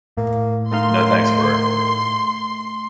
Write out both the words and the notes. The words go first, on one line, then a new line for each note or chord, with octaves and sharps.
No thanks bro.
A2 A#3
D#3 A3 D#4 F5 C6